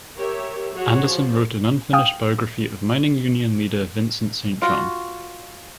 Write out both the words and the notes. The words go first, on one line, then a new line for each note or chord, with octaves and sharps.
Anderson wrote an unfinished biography of mining union leader Vincent Saint John.
G4 A#4 C#5 E5
F#3 F#4 G#4 C#5 F#5
F3
F5 G5 G#5 D#6 F6
F4 F#4